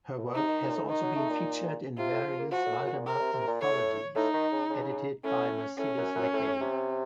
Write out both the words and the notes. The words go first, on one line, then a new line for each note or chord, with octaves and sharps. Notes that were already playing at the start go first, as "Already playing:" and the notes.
Her work has also been featured in various Valdemar anthologies, edited by Mercedes Lackey.
A2
A#2
C3 D#4
D#3
F#2
A#2
A2
D#3 D#4
F#3
A3
A#2
C3 F4
A2
F3
A#3
F3 F#4
A2
F#2
A#2
C3 A#4
C#3
C3
C3
A#2
A2 C#5
A2 D#4
D#3
C#3
C#3
A2 C#4
A2 C#4
F#2
F#2
A2
C3